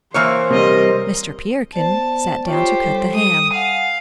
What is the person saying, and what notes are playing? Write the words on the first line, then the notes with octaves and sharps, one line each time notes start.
Mr. Peterkin sat down to cut the ham.
E3 A#3 C5 C#5
C3 G3 A#4 D#5
B3 C5 D5 A5
F4 G4 C5 C#5 C#6
G3 A4
D#6
F5 F#5 G#5